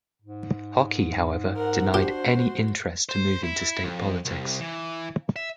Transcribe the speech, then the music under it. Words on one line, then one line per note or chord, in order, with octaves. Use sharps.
Hockey, however, denied any interest to move into state politics.
G#2
A#4 F#5
D4 F#4 G4 C5
C5
E4
F2
C2
E3
E5